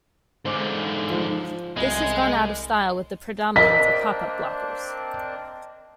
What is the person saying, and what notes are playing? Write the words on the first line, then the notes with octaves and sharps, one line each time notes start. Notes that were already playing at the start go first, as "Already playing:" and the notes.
This has gone out of style with the predominance of pop-up blockers.
G#2 D3 C5 D6
F3
C2 G#3
A#3 C4 D4 A#4 D#5 B6